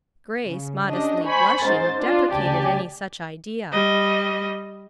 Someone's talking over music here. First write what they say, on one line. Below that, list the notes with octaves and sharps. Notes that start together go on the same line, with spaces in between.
Grace, modestly blushing, deprecated any such idea.
C#3
C#4 D4 G4 D#5
C5 G#5 B5 C#6
G#2 C#4 C5 A6
D4 F4
D2 C#3 G4 D5 G#5 A5
G3 D#5